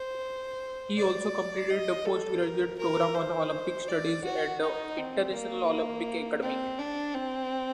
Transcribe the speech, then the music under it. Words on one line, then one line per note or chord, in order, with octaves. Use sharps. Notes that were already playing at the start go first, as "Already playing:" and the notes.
He also completed the postgraduate programme on Olympic Studies at the International Olympic Academy.
Already playing: C5
D5
D#5
A4
A#4
A#4
C5
D5
F#4
D#4
C4
A#3
C4
D4
C4